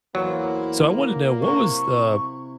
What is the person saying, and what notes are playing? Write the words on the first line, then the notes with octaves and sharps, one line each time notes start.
So I want to know what was the
E2 F#3 A#3 E4 C5
C3 E4 C#6